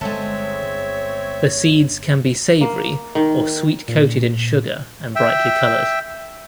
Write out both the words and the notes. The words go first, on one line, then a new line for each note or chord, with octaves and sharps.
The seeds can be savory or sweet-coated in sugar and brightly colored.
G1 G#3 C4 A4 C#5 E5
A#3
D#3
A#2
E5 G5